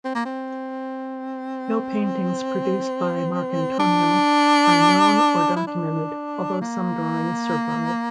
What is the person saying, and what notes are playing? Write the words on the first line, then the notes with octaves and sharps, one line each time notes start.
No paintings produced by Marcantonio are known or documented, although some drawings survive.
C4
A#3
C4
D4
E4
D4
A#3